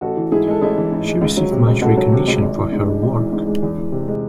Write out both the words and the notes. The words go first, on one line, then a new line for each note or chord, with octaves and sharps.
She received much recognition for her work.
A1 F#4 A4
E3
G#2 E4 G#4
G#3 A4
A1 E4 G#4
E3
G#2
G#3
C#2
F#3
C3
C#2
C#2 F#4 A4
F#3
C3
C#2
G#1
E3
G#2
G#3
G#1
E3
G#2
G#3
E2
E3
C3
G#3